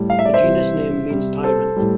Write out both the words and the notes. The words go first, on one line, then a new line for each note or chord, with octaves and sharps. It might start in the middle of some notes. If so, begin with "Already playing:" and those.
The genus name means "tyrant".
Already playing: A2 G3
F5
E5
D5
C5 E5
C3 E3 G3
C3 G3
A4 C5
A2 G3